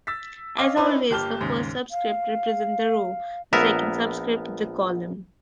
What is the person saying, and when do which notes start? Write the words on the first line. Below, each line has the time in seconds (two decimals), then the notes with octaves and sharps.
As always, the first subscript represents the row, the second subscript the column.
0.07 E6 A6 B6
0.58 C#5 D#5 F5 D6
0.77 C#4 D#4 E4 B4 C5 D5
1.10 G1 A#3 G4 A5 F6 G7
1.40 D#2 G#2 C#3
1.91 F5
3.53 A#1 B3 A#4 E5